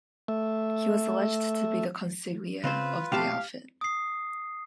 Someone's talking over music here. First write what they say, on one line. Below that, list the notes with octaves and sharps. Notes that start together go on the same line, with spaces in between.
He was alleged to be the Consigliere of the Outfit.
A3 E5
C#3 C4 F4 B4 C5
B2 A3 G4 F5 A5
D#6 C7